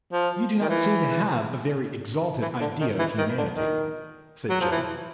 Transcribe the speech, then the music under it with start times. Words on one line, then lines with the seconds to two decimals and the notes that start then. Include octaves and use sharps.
"You do not seem to have a very exalted idea of humanity," said Joe.
0.12 F3
0.61 D#3
0.69 E3
2.42 E3
2.61 D3
2.81 D#3
2.99 E3
3.18 D#3
3.38 D3
3.56 D#3
4.50 F#3
4.61 F3
4.71 E3